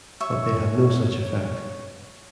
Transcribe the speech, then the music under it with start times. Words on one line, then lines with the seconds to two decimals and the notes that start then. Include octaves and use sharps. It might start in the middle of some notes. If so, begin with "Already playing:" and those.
But they have no such effect.
0.20 C#5 E5 C#6